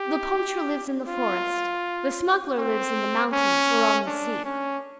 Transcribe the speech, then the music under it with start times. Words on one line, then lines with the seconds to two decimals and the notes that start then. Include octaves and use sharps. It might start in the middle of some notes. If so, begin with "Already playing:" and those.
The poacher lives in the forest, the smuggler lives in the mountains or on the sea.
Already playing: G4
1.08 F4
2.58 C4
3.33 C#4
4.07 D4
4.45 C#4